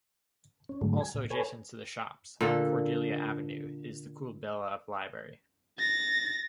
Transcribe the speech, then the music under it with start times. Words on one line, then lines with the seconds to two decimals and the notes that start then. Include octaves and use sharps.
Also adjacent to the shops, on Cordelia Avenue is the Coolbellup library.
0.69 C#4
0.81 G#2 D3 F#3 G#3 A3
1.01 G#5
1.14 A#2
1.30 A4 B4 C#5 G#5
2.41 A#2 D3 A4
5.79 A6 A#6